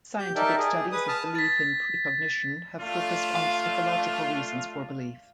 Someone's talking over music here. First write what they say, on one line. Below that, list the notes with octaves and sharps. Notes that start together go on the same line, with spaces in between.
Scientific studies of belief in precognition have focused on psychological reasons for belief.
G4 G6
D#4 A#4 D5 E5 G5 A5
G#4
B4 D#6
A5 D#6 F6
A6 B6
A3 D4 F4
F5